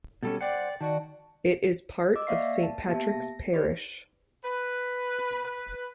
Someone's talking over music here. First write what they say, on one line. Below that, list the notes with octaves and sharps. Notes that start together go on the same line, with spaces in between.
It is part of Saint Patrick's Parish.
B2 G3 C#4 A4
C5 D5 F#5 G5
D#3 D#4 F#4 D5 A5
D#5 D6 E6
A#3 D5 E5 F5 C#6 C7
A5
A#3 B3 G4 E5 A5
A#6
D#4 G4 B4 C5 D5
B4
B4